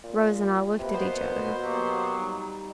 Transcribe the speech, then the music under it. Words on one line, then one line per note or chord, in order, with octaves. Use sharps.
Rose and I looked at each other.
A#2
C3 A#3 B4
B2 B3 C5
F#3 A#3 B3 G4
G3 D#4